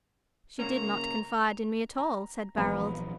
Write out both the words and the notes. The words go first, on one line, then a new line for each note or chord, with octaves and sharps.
"She did not confide in me at all," said Barold.
C#3 A#3 C#4 A#5
A#5
A#1 E3 F#3 B3 F5 A#5